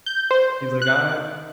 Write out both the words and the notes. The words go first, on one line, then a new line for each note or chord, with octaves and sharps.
He's like, "I"
G6
C5
F#6